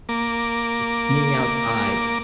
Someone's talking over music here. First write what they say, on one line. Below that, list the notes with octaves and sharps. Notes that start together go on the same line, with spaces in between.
just being outside,
A#3 D6